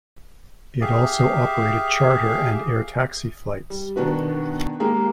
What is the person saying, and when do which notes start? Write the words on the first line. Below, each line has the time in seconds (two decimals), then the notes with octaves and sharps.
It also operated charter and air taxi flights.
0.81 G4 G#4 E5 F5
3.70 G3
3.96 B2 D#3 B3 D4 F#4 B4
4.80 G#3 A#3 G4 G#4